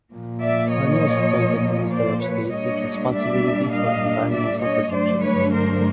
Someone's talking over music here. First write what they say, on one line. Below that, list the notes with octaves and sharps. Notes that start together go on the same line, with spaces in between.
Harney was appointed Minister of State with responsibility for Environmental Protection.
A#2 F3 A#3
D5 E5
C#5 D#5
C5 D5
B4 C#5
A#2 G3 A#3 D4 C#5 D#5
D5 E5
D#5 F5
D5 E5
C#5 D#5
G2 D3 F#3 A3 D4 C5 D5
B4 C#5
A#4 C5